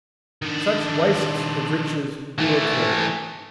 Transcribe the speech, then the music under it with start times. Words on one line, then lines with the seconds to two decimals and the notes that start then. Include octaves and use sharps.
Such wastes of riches do occur.
0.42 D#3 D4
2.38 E3 A3